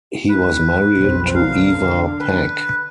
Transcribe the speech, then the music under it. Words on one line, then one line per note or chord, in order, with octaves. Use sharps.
He was married to Ewa Pac.
B4
B1 F2 C4
D3 A#4 F5
B4